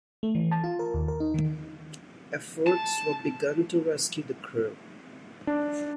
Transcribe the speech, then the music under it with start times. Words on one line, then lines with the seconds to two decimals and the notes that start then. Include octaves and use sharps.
Efforts were begun to rescue the crew.
0.23 A3
0.35 E3
0.51 A5
0.64 F4
0.79 A#4
0.94 D#2
1.08 A#4
1.20 D#4
1.34 D#3
2.67 A5
5.47 D4